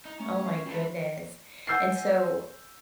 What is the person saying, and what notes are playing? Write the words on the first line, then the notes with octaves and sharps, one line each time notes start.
oh my goodness, and so
D#4
A3 C#4
C7
G3 F4 A4
F#5 G#5 E6 G6 A6 C7